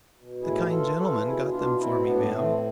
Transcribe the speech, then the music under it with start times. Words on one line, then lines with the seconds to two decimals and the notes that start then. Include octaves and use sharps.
"The kind gentleman got them for me, ma'am."
0.15 B2
0.41 A2 E4 G#4
0.68 E3 F4 A4
0.96 E3 F4 A4
1.23 B2 E4 G#4
1.50 B2 D4 F4
1.78 B2 C4 E4
2.05 A2 B3 D4
2.32 E3 A3 C4